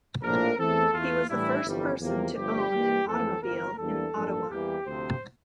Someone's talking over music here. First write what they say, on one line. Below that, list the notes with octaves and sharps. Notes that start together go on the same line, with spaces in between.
He was the first person to own an automobile in Ottawa.
A#1 A2 F3 A#3 D4 A#4
E2 E3 A3 C4 A4
E2 E3 A3 F4
A2 E3 G3 D4 E4
G1 F2 E3 G3
E2 C3 F3 A#3
G1 G2 F3 A3 G4
G2 E3 A#3
F2 E3 A3 C4 A4
G1 F2 E3 A#3 A#4
E2 E3 G3 A#3 D4 A4
A1 G2 F3 A#3 D4
E2 E3 G3 A#3 G4
D2 C3 F3 C4 C5